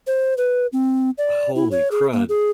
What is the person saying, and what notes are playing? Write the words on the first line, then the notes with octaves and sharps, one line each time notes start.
"Holy crud,
C5
B4
C4
D5
E4
C#5
G#4
A#3
G#4